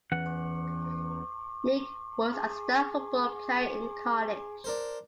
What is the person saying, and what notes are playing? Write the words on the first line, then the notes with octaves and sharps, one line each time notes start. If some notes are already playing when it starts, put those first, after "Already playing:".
Meek was a star football player in college.
E2 E3 C#4 F#5
G#4
D4 A#4 C5